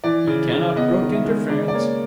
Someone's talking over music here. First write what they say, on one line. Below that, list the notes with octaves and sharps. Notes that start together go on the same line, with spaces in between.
He cannot brook interference.
E3 D5
C#3
C#3
B3 D#5
D#3
E5
G#3
C#3 D5
D5
A#3 C#5